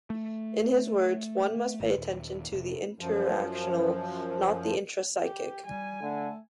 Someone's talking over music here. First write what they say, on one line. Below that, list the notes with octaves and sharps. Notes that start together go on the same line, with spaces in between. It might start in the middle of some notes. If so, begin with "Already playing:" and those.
In his words, one must pay attention to the "interactional", not the "intrapsychic".
A3
G#1
D#1
F1
F#2 F3
G4
G3 G#5
D3 A3